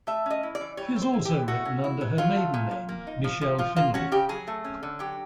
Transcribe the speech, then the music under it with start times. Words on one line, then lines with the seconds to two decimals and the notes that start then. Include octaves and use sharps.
She has also written under her maiden name 'Michelle Finley'.
0.07 A3 E5
0.26 C#4 D#5
0.43 E4
0.55 D5
0.61 E3
0.77 G3 C#5
0.96 C4
1.02 C5
1.13 E4
1.25 G4
1.31 E3
1.48 A3 F#4
1.65 C#4
1.84 E4
2.01 F#3
2.18 F#3 F4
2.36 A3
2.54 A#2
2.71 A#2
2.89 A#3
3.07 D#4
3.24 F3
3.41 F3
3.58 F3 F4
3.76 A#3 F4
3.94 C#4 F#4
4.12 C#3 G4
4.29 F#3 G#4
4.48 A3
4.64 C#4
4.83 D3
4.99 F#3 G4